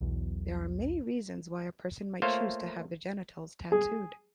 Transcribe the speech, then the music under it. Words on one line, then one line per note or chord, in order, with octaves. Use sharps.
There are many reasons why a person might choose to have their genitals tattooed.
B1 E2
A3 A#3 F4 C5 C#5 F5
G#4